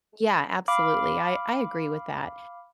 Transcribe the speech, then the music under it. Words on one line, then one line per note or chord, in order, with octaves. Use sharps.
Yeah, absolutely. I I agree with that.
F5 B5 D6 F6